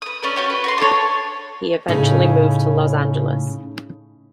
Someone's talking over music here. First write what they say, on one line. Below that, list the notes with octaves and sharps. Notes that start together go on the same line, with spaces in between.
He eventually moved to Los Angeles.
B4 D#6
C#4 D4 B4
F#4 G4 C#5
B4
F#4 B4 C6
D4 A4 C#5
A2 C#3 D#4